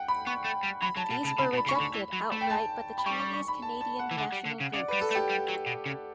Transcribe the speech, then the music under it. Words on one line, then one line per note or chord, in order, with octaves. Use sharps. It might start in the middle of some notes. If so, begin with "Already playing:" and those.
These were rejected outright by the Chinese Canadian national groups.
Already playing: F#5 G5
B5
B3 C#6
A3
G3
F#3 B5
F#3 A5
B2 A5
C#3 A5
C#3 B5
B2
B5
C#3 C#6
D3 B5
E3
F#3
A3
G5
A5
B5
G3 C#6
C#6
C#6
B5
A5
A5
F#5
E3
D3 F#5
G3
D3
C#3
C#3 D5
G3 B4
A4
A3
G4
G3
F#3
B2
C#3